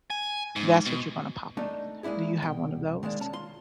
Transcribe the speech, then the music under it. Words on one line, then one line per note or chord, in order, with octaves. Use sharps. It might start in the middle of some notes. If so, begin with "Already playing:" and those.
that's what you're gonna pop in. Do you have one of those?
G#5
G#2
B2
A3 D4 D#4
G#3 A#3 D4 E4 G#4
C2 B2 G5
D#3 G#3 A#3 D4
C#4 A5
F4 C6